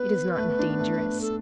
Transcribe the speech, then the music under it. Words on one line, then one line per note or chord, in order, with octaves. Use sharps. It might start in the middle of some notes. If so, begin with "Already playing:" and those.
It is not dangerous.
Already playing: B3 B4
A3
B3
D4
B3
A3
A4